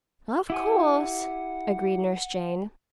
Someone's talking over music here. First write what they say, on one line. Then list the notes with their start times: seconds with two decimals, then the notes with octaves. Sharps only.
"Of course," agreed Nurse Jane.
0.50 E4 G4 F#5 G#5